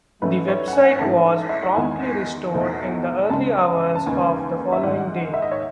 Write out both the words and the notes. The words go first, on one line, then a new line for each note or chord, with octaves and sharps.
The website was promptly restored in the early hours of the following day.
G#2 F#3 A3 C#4 B4
C#5
F#5
G#5
G#2 E3 A3 C#4 A5
E5
F#5
E2 D#3 G#3 G#5
E2 B2 A3 D#4
C#2 C#3 G#3 C#4 A5
A5
D#2 C#3 G#3 B3 G#5
E5
G#2 D#3 G#3 F#5
E5
D#5
C#5